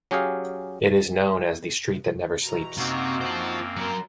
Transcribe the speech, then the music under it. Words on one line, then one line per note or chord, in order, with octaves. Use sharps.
It is known as the street that never sleeps.
F#3 C#4 G4 G#4 F5
E2 B2 A#5
F#2 C3 A#3 C4 D#4 F#4
F4 C5
F#3 A#4